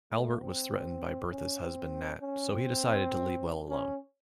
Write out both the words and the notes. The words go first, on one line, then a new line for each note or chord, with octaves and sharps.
Albert was threatened by Bertha's husband Nat, so he decided to leave well alone.
A3
C4
C#4
C4
C#4
C4
C#4